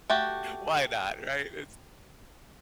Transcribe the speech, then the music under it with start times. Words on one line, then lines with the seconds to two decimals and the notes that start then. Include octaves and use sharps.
why not, right? It's
0.10 A3 F#4 G4